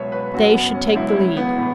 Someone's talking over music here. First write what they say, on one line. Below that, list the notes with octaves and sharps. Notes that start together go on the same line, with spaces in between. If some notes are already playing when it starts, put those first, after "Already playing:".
They should take the lead.
Already playing: C#2 B2 F#3 C#5 E5
B4
F#1 F#2 C#3 F#4
B3
C#4
C#2 C#3 F#3 E4
E4
C#4
B3
A2 E3